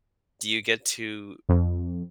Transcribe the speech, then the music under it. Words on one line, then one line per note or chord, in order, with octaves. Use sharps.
Do you get to
F2